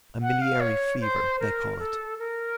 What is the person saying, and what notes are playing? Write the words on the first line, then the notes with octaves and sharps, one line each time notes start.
A miliary fever, they call it.
F#5
F5
C#5
C5
A#4
A4
A#4